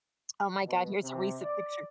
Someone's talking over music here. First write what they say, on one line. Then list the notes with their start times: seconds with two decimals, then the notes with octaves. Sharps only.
Oh my God. Here's a recent picture.
0.65 B2
1.01 C3
1.41 D5